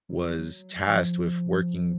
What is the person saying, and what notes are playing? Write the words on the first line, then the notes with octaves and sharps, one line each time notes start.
was tasked with working
F#3
F#3
F3